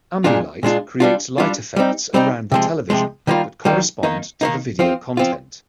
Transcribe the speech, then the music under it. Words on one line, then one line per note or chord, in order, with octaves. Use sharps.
Ambilight creates light effects around the television that correspond to the video content.
A#2 G#3 D4 F4
A#2 G#3 D4 F4
G3 D4 F4
G3 D4 F4
G3 C4 D#4
G3 C4 D#4
C3 F3 G#3
C3 F3 G#3
D#3 G3 A#3 F4
D#3 G3 A#3 F4
D#3 A#3 D#4
D#3 A#3 D#4
F3 C4 F4
F3 C4 F4